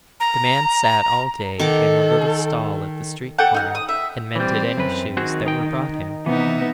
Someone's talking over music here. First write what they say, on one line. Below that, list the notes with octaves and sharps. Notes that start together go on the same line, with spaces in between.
The man sat all day in a little stall at the street corner and mended any shoes that were brought him.
A#5
D#3 A4 F#5 D6
G4 A4 F#5 D6
D#4 F5 F#5
D#6
E5
E3 G3 C4
F#2 B4
D#3 C4 F#4 G#4
D#4 G5
C3 E3 B3 D#4 E5